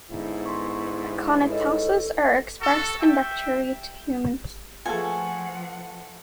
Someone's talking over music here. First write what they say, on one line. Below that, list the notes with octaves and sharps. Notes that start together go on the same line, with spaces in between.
Aconitases are expressed in bacteria to humans.
G#2 D3 B3 E4
C6 C#6
A4 B4 C#5 D#5
F#4 A4
E5 G5
F3 A3 F4 G#4 A4 B4 F#5 G#5